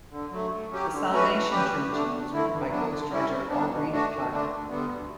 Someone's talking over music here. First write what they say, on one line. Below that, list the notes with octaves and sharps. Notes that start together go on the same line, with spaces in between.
"The Salvation" trilogy was written by ghostwriter Aubrey Clark.
D3
F#3 A3
A2
F#3 C#4 G4
D3
A3 C#4 F#4 B4
E3
G3 C#4 G4 B4
D2
D3 A3 D4
E2
D3 A3 E4
G2
F#3 B3 D4
D3
G3 C#4 E4
C#3
G3 B3 D4
B2
A3 D4 F#4
F#2
D3 A3 D4
D2
D3 G3 B3
D2